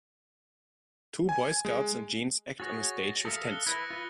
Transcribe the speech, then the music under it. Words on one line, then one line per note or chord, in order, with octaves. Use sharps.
Two boy scouts in jeans act on a stage with tents.
G#5
G#3
F#4 G#4 C#5 A6 A#6
A4 E5 F5 D#6 C#7
F#6 G7
E4 B4 A6 A#6
F4 B4